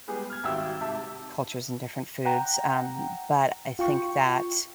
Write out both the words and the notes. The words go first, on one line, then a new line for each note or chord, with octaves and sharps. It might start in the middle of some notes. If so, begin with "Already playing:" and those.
cultures and different foods, um, but I think that
G3 G#3 B3 G4 G#4
F6 G#6
G#1 G3 F#4 E5 G5 E6
G#2 C3 G4 E5 A5
F#5 G5 A#5
F4 G5 C#6